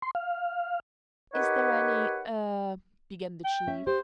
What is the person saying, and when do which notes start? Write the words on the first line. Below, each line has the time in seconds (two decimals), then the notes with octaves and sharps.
"Is there any--er--?" began the Chief.
0.02 C6
0.15 F5
1.34 D#4 G4 A#4 B4 C#5 F#5
3.44 G5
3.67 C#4 E5
3.87 G4 C5